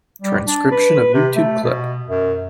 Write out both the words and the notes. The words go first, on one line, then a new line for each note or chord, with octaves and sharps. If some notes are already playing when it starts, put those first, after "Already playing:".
Transcription of YouTube clip.
G3
D4
B4
C3
A3
B2
F#2